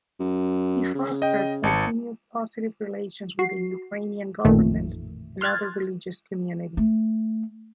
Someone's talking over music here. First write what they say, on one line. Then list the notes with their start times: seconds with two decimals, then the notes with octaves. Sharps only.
He fostered continued positive relations with the Ukrainian government and other religious communities.
0.20 F#2
0.95 C#3
1.22 D#5 G5
1.63 G#1 A5 C#7
3.39 F#4 C7
4.45 A1 F2 A#2 D#3 A3
5.41 C6 F6 F#6 G#6 A6
6.77 A3